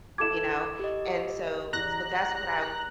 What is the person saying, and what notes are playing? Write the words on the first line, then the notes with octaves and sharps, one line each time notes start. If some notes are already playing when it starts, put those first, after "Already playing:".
You know? And so, so that's what I
E4 A4 D6 G#6 E7
G4 D#5
E2 A#5 F#6 A#6